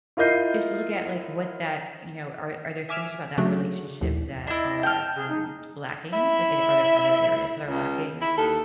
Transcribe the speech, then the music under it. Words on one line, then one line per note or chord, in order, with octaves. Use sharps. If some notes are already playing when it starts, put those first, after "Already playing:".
just to look at, like, what that, you know, are are there things about that relationship that are, um, lacking? Like, is there are there other areas that are lacking?
E4 F4 A#4 D#5 G6 C7
E5 G#5 D6 F6 B6 E7
C#3 F#3 A3 D4
A#1 D#2 A2
D4 E4 D#5
G5 A5 F6
G#4
D#4
E4 E5
C#2
E4
D#2 A4